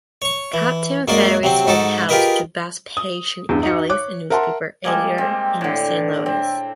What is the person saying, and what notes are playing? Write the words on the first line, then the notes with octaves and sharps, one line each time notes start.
Captain Ferris sold the house to Vespasian Ellis, a newspaper editor in Saint Louis.
C#5 C#6
E3
F#2 G#3 A#3 F#4 D5 C6
C3 F#3 C4
G#2 D#4 F#4 A4 D6
F4 G4 G#4 A#4 B4 D#5
D#6
E2 G2
D#4 F#4 C#7
C#5 D6 F#6
A#4 E5 F#5 A5 C6
G3 G#3 A#3
C4
A2 D3
C4